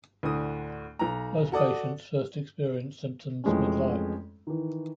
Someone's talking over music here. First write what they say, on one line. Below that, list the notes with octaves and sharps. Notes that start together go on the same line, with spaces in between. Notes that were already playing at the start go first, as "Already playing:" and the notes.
Most patients first experience symptoms midlife.
D2 A2 D3 D#6
B1 A#5
F#4 A4 D5 D#6
F2 E3 G#3 A3 C#4
D#3 E3